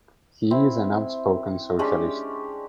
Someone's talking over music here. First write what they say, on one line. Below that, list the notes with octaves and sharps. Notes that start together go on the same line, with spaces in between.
He is an outspoken socialist.
C4 E4
G#3 C#4 D4 G4